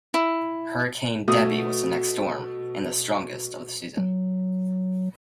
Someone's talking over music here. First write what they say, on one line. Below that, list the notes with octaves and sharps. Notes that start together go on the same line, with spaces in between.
Hurricane Debby was the next storm and the strongest of the season.
E4
B2 A3 D#6
F#3